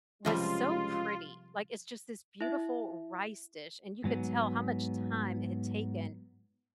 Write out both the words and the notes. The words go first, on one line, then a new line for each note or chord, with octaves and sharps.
was so pretty. Like, it's just this beautiful rice dish and you could tell how much time it had taken,
C#2 C3 F3 G3 F4
E4 E5
G#2 F#3 B3